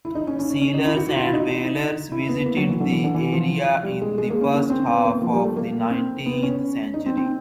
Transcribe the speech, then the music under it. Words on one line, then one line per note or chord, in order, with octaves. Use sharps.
Sealers and whalers visited the area in the first half of the nineteenth century.
E4
D#4
C#4
C#4
C#4
C#4
D#4
E4
F#4
F#4
F4
E4
D#4
E4
B3
A#3
F#3
E3
D3
E3
D3
E3
F3
G3
G#3
G#3
A#3
C#4
C#4
C4
B3
A#3
F3
G3
A3
A#3
C4
B3
C#4
D#4
C4
C4